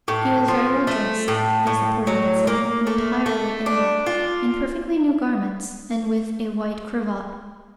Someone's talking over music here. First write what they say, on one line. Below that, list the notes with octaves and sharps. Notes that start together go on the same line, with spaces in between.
He was very well dressed, as the porter had said, entirely in black, in perfectly new garments, and with a white cravat.
A2
F3
A3
A2
A2
F#3
A#3
A3
A3
D4
F4